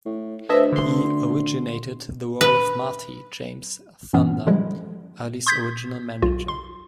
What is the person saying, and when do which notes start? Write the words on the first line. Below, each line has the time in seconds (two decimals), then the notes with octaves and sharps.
He originated the role of Marty, James "Thunder" Early's original manager.
0.05 A2
0.49 D2 A4 B4 C5 D#5 E5
0.72 D3 C6
2.41 B4
4.13 G2 A#2 E3 B3 C#4
4.47 D3 F3 G3 G#3 E4
5.47 C6 D#6 G6 G#6 B6
6.22 B1 F4
6.48 C6